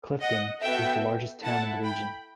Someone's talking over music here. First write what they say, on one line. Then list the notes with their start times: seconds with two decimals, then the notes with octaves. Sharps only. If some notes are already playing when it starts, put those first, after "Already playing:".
Clifden is the largest town in the region.
0.21 D#5 F#5
0.62 B3 F#4 A4 E5 G5
1.43 A3 E4 A4 F#5 A5
1.84 G5 B5